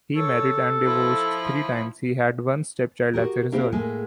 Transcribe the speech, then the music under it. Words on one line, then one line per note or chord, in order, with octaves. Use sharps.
He married and divorced three times; he had one stepchild as a result.
A4 C#5
F3 E4
F#4 G4 A#4
A#3 C4 E4 G4 C5
A2 G#3 A#3 G#4